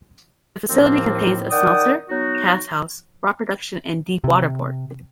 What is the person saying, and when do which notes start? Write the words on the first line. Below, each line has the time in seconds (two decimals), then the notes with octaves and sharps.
The facility contains a smelter, cast house, rod production and deep-water port.
0.69 D#2 A2 F3 A#3 C4
1.51 D#3 D5 F#5 G5 D#6
2.09 F#3 B3 D#4 F#4
4.24 C3